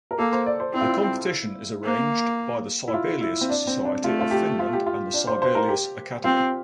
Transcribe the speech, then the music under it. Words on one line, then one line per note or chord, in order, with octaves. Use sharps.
The competition is arranged by the Sibelius Society of Finland and the Sibelius Academy.
A#4
A#3 A4
C5
D5
C5
C4 E4
F4
E4
A#3
E4
F4
E4
C4
D4
C4
D4
A3 F4
F4
G4
F4
G4
F4
D4
C5
C5
A#4
G4
C4 F4